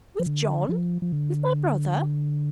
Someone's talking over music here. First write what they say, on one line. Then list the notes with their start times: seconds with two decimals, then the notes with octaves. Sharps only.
'With John! with my brother!
0.20 F3
0.26 D3
0.69 F3
1.02 F3
1.12 D3